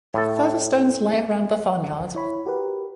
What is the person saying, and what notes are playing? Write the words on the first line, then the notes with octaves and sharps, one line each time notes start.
Further stones lie around the farmyard.
A2 A4
E4 C#5 B5
F#4 G4 A#4 B4